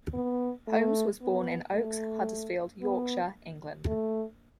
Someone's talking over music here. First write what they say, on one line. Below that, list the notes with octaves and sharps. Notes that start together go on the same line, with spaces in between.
Holmes was born in Oakes, Huddersfield, Yorkshire, England.
B3
A3
B3
A3
B3
A3